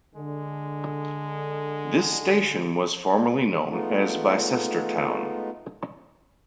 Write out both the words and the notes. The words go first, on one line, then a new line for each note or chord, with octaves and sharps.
This station was formerly known as Bicester Town.
D3 G#3
G#3 A3 B3 D#4 F4